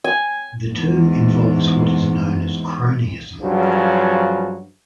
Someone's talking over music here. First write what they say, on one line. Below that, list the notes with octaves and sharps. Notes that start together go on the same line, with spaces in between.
The term involves what is known as cronyism.
G#5
E2 G#2
G2 C#3 F3 F#3